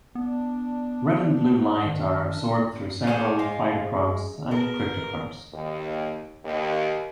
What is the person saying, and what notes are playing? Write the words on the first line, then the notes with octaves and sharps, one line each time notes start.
Red and blue light are absorbed through several phytochromes and cryptochromes.
B3 D4
D#3
C#4 G#4 C5 D5 F5 F#5
G#3 F4
B3 G#4 A#4 A5
D#2
D#2